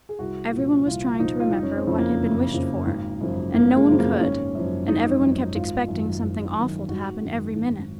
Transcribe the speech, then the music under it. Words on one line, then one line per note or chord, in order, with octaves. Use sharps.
Everyone was trying to remember what had been wished for, and no one could, and everyone kept expecting something awful to happen every minute.
G#4
C2 F#4
A#2 F3
C2 F4
A#2 F3 D#4
F4
F#1 D#4
C#4
C4
F2 C#3 F3
A#3
F#1
F2 C#3 F3
G#1
F#2 C#3 F3
G#1 A#3
G#3
F#2 C#3 F3
A#3
G#1 C#4
F#2 F3
G#1 D#4
F#2 F3
G#1 F4
F#2 D#3
G#1
F#2 D#3
G#1 F#4
F#2 D#3
G#1